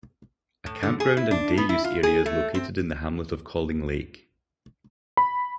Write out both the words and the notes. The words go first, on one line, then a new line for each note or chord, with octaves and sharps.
A campground and day use area is located in the hamlet of Calling Lake.
A2
D3
G#4
E4
D4
B3
E4
F4
G#4
A3
C4
B5